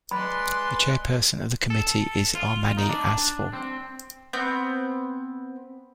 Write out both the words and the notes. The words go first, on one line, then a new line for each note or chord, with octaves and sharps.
The Chairperson of the Committee is Armany Asfour.
G#3 B4 D5 B5 C6 F#6
A4
F4
D#4
D4
C4
B3 C4 G6